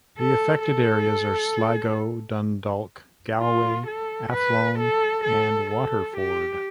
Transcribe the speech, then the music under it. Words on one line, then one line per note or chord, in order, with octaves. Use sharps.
The affected areas are Sligo, Dundalk, Galway, Athlone and Waterford.
A4
A4
F4
A4
B4
A4
A4
A4
G4